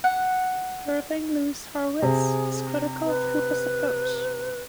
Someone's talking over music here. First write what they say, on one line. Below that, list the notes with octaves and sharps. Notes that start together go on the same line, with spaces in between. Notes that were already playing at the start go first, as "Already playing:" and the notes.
Irving Louis Horowitz is critical of Kuper's approach.
F#5
C3 G#4
B4